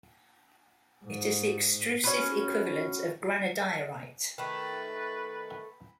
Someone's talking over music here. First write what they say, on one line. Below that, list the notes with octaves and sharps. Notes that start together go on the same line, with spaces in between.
It is the extrusive equivalent of granodiorite.
G#2
C#4 F#4 B4
D#3 A3 B4